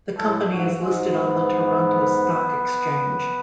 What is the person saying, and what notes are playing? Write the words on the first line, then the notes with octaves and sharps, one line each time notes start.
The company is listed on the Toronto Stock Exchange.
A2 A4
G#2 F#4
G#2 G#3
B3
F#2